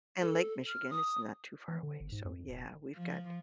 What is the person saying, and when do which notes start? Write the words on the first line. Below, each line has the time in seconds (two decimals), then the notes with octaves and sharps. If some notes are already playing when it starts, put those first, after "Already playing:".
and Lake Michigan is not too far away, so, yeah, we've got
0.21 A4
0.67 F6
0.90 D#6
1.68 E3
1.83 D3
2.00 G1
2.12 G#2
2.25 F2
2.48 D1
2.96 F3